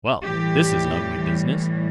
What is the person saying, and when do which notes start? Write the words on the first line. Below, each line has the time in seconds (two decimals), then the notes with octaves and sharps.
'Well! this is an ugly business!
0.23 A2 E3 G3 G4